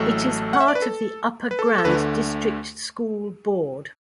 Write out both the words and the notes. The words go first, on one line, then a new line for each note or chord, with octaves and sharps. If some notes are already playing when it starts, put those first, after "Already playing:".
It is part of the Upper Grand District School Board.
Already playing: A1 A2 F#3 A3 A4
F#5
E5
D5
B4
A4
B4
A4
A4
D2 D3 A3 B4